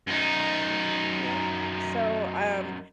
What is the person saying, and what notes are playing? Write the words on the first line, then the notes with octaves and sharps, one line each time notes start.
Yep. So, um,
F#2 D#4